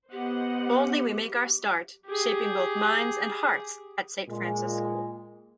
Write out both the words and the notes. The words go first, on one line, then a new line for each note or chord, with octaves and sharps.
Boldly we make our start shaping both mind and hearts at Saint Francis School.
B3 G4 C5 D#5 F#5
G4 G#4
A#2 G#3